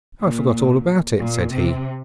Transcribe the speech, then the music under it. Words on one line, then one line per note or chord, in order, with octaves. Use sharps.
'I forgot all about it,' said he.
A#2
A#2
C3